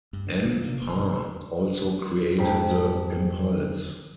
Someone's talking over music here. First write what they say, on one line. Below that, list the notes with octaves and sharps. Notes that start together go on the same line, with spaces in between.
Am-Par also created the Impulse!
G2
D3
A1 D3 D#3
C3 A#3
E1
G2 B2
F2 G#2 G4